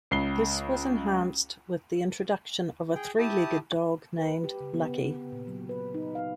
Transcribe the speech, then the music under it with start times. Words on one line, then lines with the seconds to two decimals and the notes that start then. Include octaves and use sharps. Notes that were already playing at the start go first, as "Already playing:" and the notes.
This was enhanced with the introduction of a three-legged dog named Lucky.
0.11 C#2 C7 G7
2.95 G#4 G5
3.18 E4 G4 A5 D#6
4.19 B4
4.44 G4
4.60 C#3
4.74 B3
4.89 C3
5.32 A#2
5.47 F#3
5.69 B4
5.94 D#4
6.15 F5